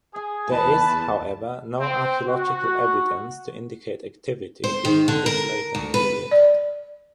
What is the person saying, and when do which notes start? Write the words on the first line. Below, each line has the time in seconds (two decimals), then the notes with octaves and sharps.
There is, however, no archaeological evidence to indicate activity during this later period.
0.14 G#4
0.50 E2 B4 A5 B5
1.80 C4
2.27 F#4
4.64 C5
4.85 D#3
5.08 D3
5.26 A#4
5.75 D2
5.94 B4
6.31 D5